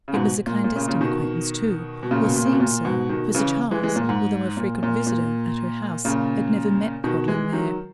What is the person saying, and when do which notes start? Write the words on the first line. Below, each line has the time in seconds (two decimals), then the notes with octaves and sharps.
It was a clandestine acquaintance too, or seemed so, for Sir Charles, although a frequent visitor at her house, had never met Quadling there.
0.08 C#3
0.14 G#2 B2
0.46 A#2
0.64 A#2
0.76 A#2 C#3
0.87 A#2 C#3
1.01 B2 D#3
2.03 B2
2.11 A#2 C#3
2.24 B2
2.36 A#2
2.45 C#3
2.53 B2
2.60 A#2
2.85 G#2 B2
3.09 B2 D#3
3.34 C#3 E3
3.71 E3 G#3
3.83 E3 G#3
3.96 A#2
4.09 G#2
4.57 A#2
4.83 A#2
5.07 A#2
6.05 A#2 C#3
7.04 B2 D#3
7.28 E3 G#3
7.52 D#3 F#3